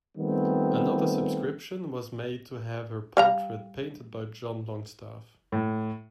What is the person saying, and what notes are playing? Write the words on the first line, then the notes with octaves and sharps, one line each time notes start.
Another subscription was made to have her portrait painted by John Longstaff.
D#3 F3 G3 A3 B3 C4
G3 F5 A#5
A2